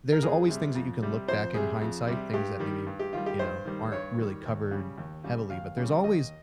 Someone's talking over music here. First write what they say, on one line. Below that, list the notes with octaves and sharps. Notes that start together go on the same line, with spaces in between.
There's always things that you can look back in hindsight, things that maybe, you know, aren't really covered heavily, but there's always
A#4
F2 G#4
C3 G3
F2
C3 G3
F2 C5
C3 G3 G#4
F2
C3 G3
G2 G4
D#3 G3
G2
G4
D#3 G3 F4
G4
G2 C5
D#3 G3
G2 C#5
D#3 G3
D#2
C#3 G3
D#2
C#3 G3
D#2 F5
C#3 G3
D#2 D#5